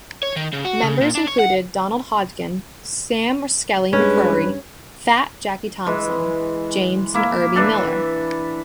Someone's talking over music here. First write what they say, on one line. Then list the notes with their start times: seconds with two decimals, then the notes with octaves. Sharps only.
Members included Donald Hodgen, Sam "Skelly" McCrory, "Fat" Jackie Thompson, James and Herbie Millar.
0.23 C#5
0.36 D#3
0.53 C#3
0.65 F#4
0.83 C#3
1.01 A#2
1.15 D4
1.27 C#5
1.39 F#5
3.93 G2 G#3 C#4 B4
5.87 E3 G#3
7.14 A#3 E4
7.55 E3 D4 A4 E5